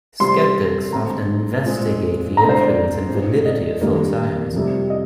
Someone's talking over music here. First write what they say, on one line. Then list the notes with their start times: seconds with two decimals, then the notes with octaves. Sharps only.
Skeptics often investigate the influence and validity of folk science.
0.20 C3 G3 C4 C6
0.92 G2 D3 G#3 C4 A#5
1.65 A#2 G#3 C4
2.37 D3 G#3 C4 A#5
2.49 C5
2.61 D5
3.09 A#2 G#3 C4
3.45 D#5
3.81 G2 D#3 G3 A#3
4.54 F2 C3 G3
4.90 D#5